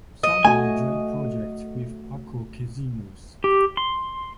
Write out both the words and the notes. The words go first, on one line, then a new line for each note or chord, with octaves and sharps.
Some were joint projects with Accor Casinos.
D#5
A3 F#4 G#5
G4
C6